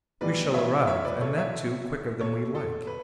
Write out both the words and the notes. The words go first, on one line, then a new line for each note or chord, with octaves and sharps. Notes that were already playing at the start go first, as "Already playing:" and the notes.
"We shall arrive, and that, too, quicker than we like."
B1 A2 E3 G3 B4 D5
C#5 E5
C#5 E5
B4 D5
A4 C#5
C#5 E5
A4 C#5
A4
B4